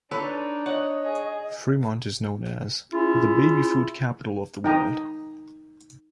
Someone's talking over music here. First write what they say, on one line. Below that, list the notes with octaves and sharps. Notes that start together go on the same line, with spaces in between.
Fremont is known as "The Baby Food Capital of the World".
D4 D#4 A4 B4 C#5
C#5 D#5 F#5
G#4
C#4 E4 F4 G#4 E5
D#4 G5 A#5 D#6